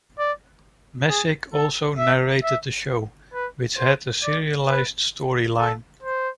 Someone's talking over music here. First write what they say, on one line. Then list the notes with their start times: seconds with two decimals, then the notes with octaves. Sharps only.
Messick also narrated the show, which had a serialized storyline.
0.19 D5
1.08 G#4
1.54 A4
1.98 E5
2.44 E5
3.34 B4
3.78 C5
4.23 D5
4.69 B4
5.59 A4
6.03 C5